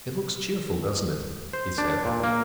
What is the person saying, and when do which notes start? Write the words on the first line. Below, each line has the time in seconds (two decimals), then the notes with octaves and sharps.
"It looks cheerful, doesn't it?" he said.
1.53 C5
1.78 D4
2.05 A#2
2.24 A#3